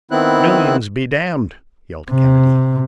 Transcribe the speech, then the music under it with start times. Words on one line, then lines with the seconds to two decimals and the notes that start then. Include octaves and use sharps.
"Millions, be damned!" yelled Kennedy.
0.11 D#3 B3 C4 E4 F#6
2.10 C3